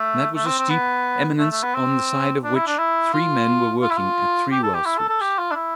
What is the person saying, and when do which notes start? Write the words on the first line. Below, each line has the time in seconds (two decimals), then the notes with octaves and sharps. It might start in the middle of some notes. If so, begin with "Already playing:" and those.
That was a steep eminence on the side of which three men were working at three well-sweeps.
Already playing: A3
0.35 A3
0.46 C4
0.58 C4
0.70 B3
1.39 A3
1.51 A3
1.63 B3
1.74 C4
2.44 D4
2.55 E4
2.67 D4
2.78 E4
3.13 F4
3.82 F4
3.90 E4
3.97 F4
4.52 G4
4.63 A4
4.74 G4
4.85 E4
4.98 A4
5.09 A4
5.21 G4
5.38 F4
5.51 D4
5.55 E4